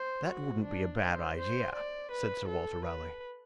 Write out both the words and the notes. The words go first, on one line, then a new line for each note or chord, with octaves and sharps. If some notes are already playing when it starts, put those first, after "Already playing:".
"That wouldn't be a bad idea," said Sir Walter Raleigh.
Already playing: C5
F#4
D4
C5
C5
D5
B4
A4
B4